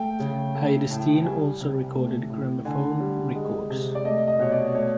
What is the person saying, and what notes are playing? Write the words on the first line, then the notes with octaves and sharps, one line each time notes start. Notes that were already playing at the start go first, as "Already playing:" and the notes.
Heide Steen also recorded gramophone records.
Already playing: A3 G5
C#3
A3
A2
G3 G#5
C3
A3
A2
D3 G#5
G3
G#3
C3
D5
A3 D#5
D#5
B2 C#5
D5
A3 C#5